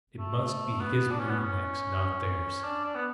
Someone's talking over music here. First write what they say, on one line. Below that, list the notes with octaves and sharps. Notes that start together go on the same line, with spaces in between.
It must be his move next--not theirs!
A3
B3
D4
C#4
B3
C#4
D4
D4
B3